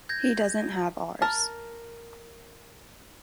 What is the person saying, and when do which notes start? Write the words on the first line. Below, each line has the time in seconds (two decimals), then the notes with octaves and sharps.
He doesn’t have ours.
0.09 G6 G#6 A#6
1.22 A#4 A5